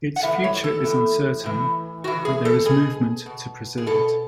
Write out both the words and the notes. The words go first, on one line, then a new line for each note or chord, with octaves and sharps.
Its future is uncertain, but there is movement to preserve it.
F#5
A2 E3 E5
C#5
A4
A2 E3
A2 E3
A2 E3 F#4
G#4
A4
B2 G#4
B2
G#4
B2 A4